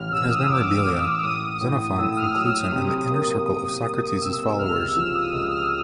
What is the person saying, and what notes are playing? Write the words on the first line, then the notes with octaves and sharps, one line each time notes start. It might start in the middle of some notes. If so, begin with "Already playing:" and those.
In his "Memorabilia", Xenophon includes him in the inner circle of Socrates' followers.
Already playing: A1 F6
A1 E6
D#6
A1 D6
A1
A2 D#6
A2
A2 E6
F6
F#3 E6
D#6
C3
A#3
A#3
A#3
C3 E6
C#2 F6
F6
F3 E6
D#6
C#2 E6
F6